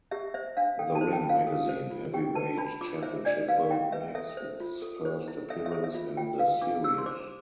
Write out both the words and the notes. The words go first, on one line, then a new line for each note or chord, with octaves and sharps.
The "Ring" magazine heavyweight championship belt makes its first appearance in the series.
G4 E5
C5 E5
D4 F5
A4 G5
A5
C5
G5
F4
F5
A4
C5
F4
G4 G5
B4 A5
D4 B5
F4 D6
C5 E5
D4 D5
B4 F5
E4 G5
B4 E5
A4 E5
C5
F4
A4
C5
E4
A4 E5
E5
C5
E5
F4
F4 G5
B4 F5
D4 D6
G4 E6
C6
C5 D6